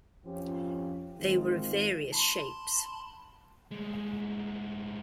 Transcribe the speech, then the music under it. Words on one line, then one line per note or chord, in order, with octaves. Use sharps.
They were of various shapes.
F2 F3 C#4 F4 G4
G#1 G#2 D#3 G#3 C4 F4
A5 B5 C6
A2 G#3